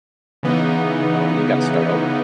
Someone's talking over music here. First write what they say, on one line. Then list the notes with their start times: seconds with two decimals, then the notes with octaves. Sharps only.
Oh, and then you gotta start over.
0.43 C#3 E3 B3 D#4